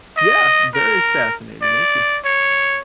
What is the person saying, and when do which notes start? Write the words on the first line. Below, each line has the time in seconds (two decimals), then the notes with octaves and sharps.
Yeah, very fascinating. Thank you.
0.17 D#5
0.75 A#4
1.62 D5
2.24 C#5